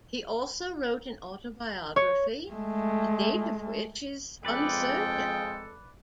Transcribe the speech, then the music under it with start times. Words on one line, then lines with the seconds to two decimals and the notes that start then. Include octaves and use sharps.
He also wrote an autobiography, the date of which is uncertain.
1.96 C#5
2.52 G#3 A3
4.45 F2 G#3 A4 B4 D5 G5